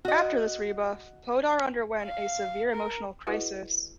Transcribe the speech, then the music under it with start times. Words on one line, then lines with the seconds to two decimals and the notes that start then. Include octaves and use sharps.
After this rebuff, Poddar underwent a severe emotional crisis.
0.05 F#4 D#5
2.03 F5
2.72 A#4
3.27 E4 F#4 G#4 B4 D#5 F#5